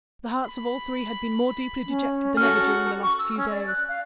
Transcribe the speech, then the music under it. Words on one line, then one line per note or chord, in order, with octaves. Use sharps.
The hearts of all three had been more deeply dejected than ever during the last few days.
B5
C#4
F#4 A4 F6
C#6
E6
C#4
D5
F#6
F5